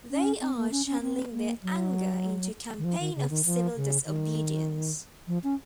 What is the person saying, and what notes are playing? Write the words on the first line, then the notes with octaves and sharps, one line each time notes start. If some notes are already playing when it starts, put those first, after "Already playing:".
They are channelling their anger into a campaign of civil disobedience.
C#4
C4
A#3
C#4
C#4
C4
A#3
F#3
D#3
F3
D#3
C#3
D#3
F3
C#3
D#3
F3
C#4